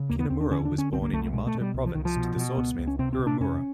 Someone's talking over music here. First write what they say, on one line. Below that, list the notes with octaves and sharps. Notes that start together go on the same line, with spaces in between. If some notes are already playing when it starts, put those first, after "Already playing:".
Kunimura was born in Yamato province to the swordsmith Hiromura.
Already playing: C#3
D#2 A#3
B3
D#2 C4
D4
D3 C#4
D4
D3
C#4
C2 C4
A#3
C2 A3
A3
B2 G#3
A3
B2
G3
C2
F3
C2 D#3
F3
B2
B2
C#2 B3
C#2
C#4
C3 C4
C4
C3
D4
F2 C#4